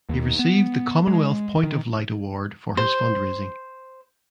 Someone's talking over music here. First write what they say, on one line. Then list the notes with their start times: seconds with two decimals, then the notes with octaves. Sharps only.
He received the Commonwealth Point of Light award for his fundraising.
0.09 D#2
0.39 B3
1.07 G#3
1.64 D#3
2.77 C5